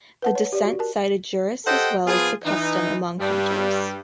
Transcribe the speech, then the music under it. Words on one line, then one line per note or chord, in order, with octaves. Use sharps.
The dissent cited jurists as well as the custom among hunters.
B4 F#5 A5
C#5
G4 D5
F#4
A#4 A5
G4 A4 C5 D#5 F#5 G5
F3 B3 F4 G#4
E3 D#4
G2 G3